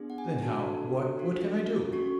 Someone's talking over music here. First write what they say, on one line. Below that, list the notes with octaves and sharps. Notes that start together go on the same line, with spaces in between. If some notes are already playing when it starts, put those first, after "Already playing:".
"Then how--what--what can I do!"
Already playing: B3 D4 G#4
F#5
G#5
D4 F#4 A4 A5
D4 F#4 A4
C#4 F#4 A4 C#6